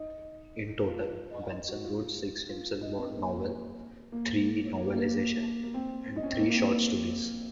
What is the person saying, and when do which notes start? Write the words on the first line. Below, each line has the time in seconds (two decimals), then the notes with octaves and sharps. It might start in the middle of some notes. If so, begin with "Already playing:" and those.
In total, Benson wrote six James Bond novels, three novelizations, and three short stories.
Already playing: D#4
0.87 F4
1.52 D#4
1.68 F#4
1.84 F4
2.49 F4
2.81 D#4
2.98 C4
3.15 A#3
4.12 A#3
4.77 A#3
4.93 A#3
5.08 A#3
5.64 A#3
5.74 C4
6.16 D#4
6.23 C#4
6.31 C4
6.39 A#3
6.50 A#3
6.55 C4